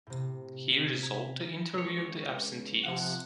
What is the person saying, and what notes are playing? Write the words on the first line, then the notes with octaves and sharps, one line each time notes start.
He resolved to interview the absentees.
A2 C3
A#5 G#6 B6
C#2 C#5
C3 F3 F#5